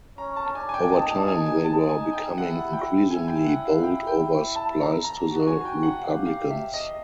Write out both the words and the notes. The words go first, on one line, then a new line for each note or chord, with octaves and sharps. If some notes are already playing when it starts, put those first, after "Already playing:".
Over time they were becoming increasingly bold over supplies to the Republicans.
C#4 A#5
A5
D4 G#5
G#5
G5
D#4 A5
A5
G#5
G#5
D#4 A5
G#5
G5
E4 F#5
G5
E4 G#5
G5
F#5
F5
G5
G5
A5
A#5
A#5
F#4
G#5
G5
F#5
G4 F5
F5
E5
D#5